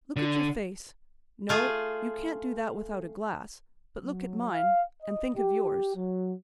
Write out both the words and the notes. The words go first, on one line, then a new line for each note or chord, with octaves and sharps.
Look at your face--no; you can't do that without a glass--but look at mine, and think of yours.
D3
A3 F4 G#4
F#3
F5
D#5
G4
F#3